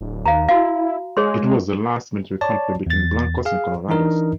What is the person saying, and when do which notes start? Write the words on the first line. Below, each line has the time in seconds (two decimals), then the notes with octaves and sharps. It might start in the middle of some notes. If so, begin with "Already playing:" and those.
It was the last military conflict between Blancos and Colorados.
0.01 D1
0.26 D#2 F5 A#5
0.49 E4 F#4 F5
1.17 G#3 G#4 C#5 C6
2.41 C#5 D5 A5
2.86 E2 A6
3.45 G#4 F5
3.89 E3 D4 D#4 A#4 D#5